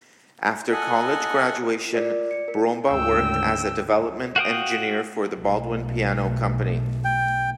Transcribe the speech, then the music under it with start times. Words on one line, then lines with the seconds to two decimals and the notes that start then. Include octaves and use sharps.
After college graduation, Brombaugh worked as a development engineer for the Baldwin Piano Company.
0.72 A4 D#5 F#5 G#5
1.93 F4 A#4 D5
2.06 D5
2.31 C#7
2.48 A#4
2.88 D2 G#2 C#3 G5 E6
4.36 F#4 F5 G5 D#6
5.37 B1 A3
7.04 G5